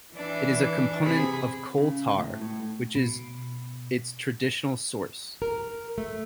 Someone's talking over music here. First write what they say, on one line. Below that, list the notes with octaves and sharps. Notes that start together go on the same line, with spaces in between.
It is a component of coal tar, which is its traditional source.
E3 D4
C3 G#4 B5
C#3
A2
A2
B2
A#4
A3